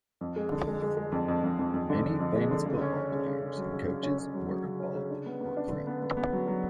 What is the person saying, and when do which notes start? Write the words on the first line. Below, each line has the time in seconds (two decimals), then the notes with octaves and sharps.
Many famous football players and coaches were involved in the program.
0.21 F2
0.36 G#3
0.52 D3
0.67 G#3
0.82 G#3
0.97 G#3
1.12 F2
1.28 F2
1.44 F2
1.59 F2
1.74 F2
1.90 D3
2.05 F2
2.20 F2
2.35 G#3
2.51 D3
2.66 C#3
2.81 C#4
2.97 C#4
3.12 C#3
3.27 C#3
3.42 C#3
3.57 F#3
3.72 C#3
3.88 C#3
4.03 C#4
4.19 C#4
4.34 F#3
4.49 F#3
4.64 C#3
4.80 C#4
4.95 C#3
5.10 D4
5.26 B3
5.41 B3
5.57 D4
5.71 D3
5.87 B3
6.02 B3
6.17 B3
6.32 F#3
6.48 F#3